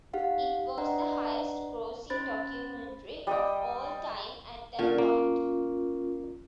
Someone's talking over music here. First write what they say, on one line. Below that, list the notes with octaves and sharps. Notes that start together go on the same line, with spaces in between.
It was the highest-grossing documentary of all time at that point.
D#4 G4 F5 F#5
D4 B4 D5 D#5 F#5 A#5
C#4 C5 B5 A6
G3 D#5 G5
A#2 D3 C#4 F4
A#3